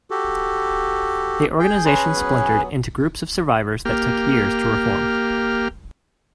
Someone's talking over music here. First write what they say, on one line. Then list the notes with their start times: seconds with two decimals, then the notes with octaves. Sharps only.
The organization splintered into groups of survivors that took years to reform.
0.11 F#4 G4 A4
1.59 G#4 G5
1.85 C#4 G#4 B4 A5 A#5 C6
2.15 F#3 B3
3.85 A#3 G4 F6